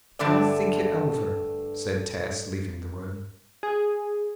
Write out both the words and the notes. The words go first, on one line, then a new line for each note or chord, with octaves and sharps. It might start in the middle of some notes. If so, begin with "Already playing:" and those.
"I'll think it over," said Tess, leaving the room.
G2 D3 A3 D4 D5
G#4